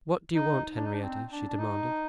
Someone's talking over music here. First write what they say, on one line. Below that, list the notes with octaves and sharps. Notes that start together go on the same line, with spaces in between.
"What do you want, Henrietta?" she demanded.
D#4
D4
D#4
D4
C4
D4
D4
D#4